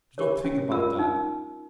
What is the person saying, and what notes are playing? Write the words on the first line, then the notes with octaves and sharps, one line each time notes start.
Do not think about that.
G4 A#4 C#5
C#4
F4 A#4 E6
D#4